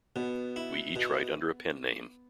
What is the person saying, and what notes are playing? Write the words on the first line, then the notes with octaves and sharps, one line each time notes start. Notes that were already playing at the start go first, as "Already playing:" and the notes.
We each write under a pen name.
B2 B3
E4
B2